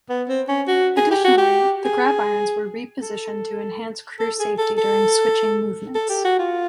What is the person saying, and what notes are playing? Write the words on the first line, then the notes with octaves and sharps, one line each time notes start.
Additionally, the grab irons were repositioned to enhance crew safety during switching movements.
B3
C4
C#4
F#4
G#4
G4
F#4
G4
G#4
A4
A4
G#4
A4
A4
A4
G4
F#4
F4